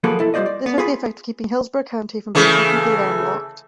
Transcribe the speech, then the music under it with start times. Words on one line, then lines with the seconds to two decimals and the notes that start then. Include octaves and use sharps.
This has the effect of keeping Hillsborough County from being technically landlocked.
0.04 F3 F#3 A#3 G#4 A4 B4
0.20 B1 E4 A4
0.34 G3 F4 G4 C5 D5 D#5
0.46 D5
0.66 B3
0.78 F4 G#4 B4
2.35 C#3 E3 A3